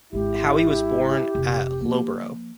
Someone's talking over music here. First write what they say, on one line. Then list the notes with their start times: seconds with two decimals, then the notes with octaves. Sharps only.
Howe was born at Loughborough.
0.13 G#1 G#3 E4 G4
1.35 F1 C4
1.81 F3 A#3